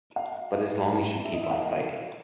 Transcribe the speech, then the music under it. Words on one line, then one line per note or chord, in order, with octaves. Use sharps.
But as long as you keep on fighting.
F5
E5
E5
D#5
E5
F5